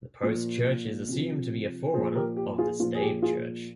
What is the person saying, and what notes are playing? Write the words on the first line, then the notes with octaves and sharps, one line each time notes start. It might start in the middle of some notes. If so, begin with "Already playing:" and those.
The post church is assumed to be a forerunner of the stave church.
A#2 F3
C3 F3
A#2 F3 G#4 C5
G4 A#4
G4
F4 G#4
A#2 F3 F4
G#4
G4
F4 G#4